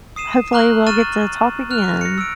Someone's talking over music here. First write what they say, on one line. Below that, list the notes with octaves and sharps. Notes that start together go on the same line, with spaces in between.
hopefully, we'll get to talk again.
D#6 C7 D#7 E7
A#5 C#6 F6 F#6 F#7 G7
C#6 F6 A6 D#7 E7
F6 F#6 F7
A#6 C#7
E6 D7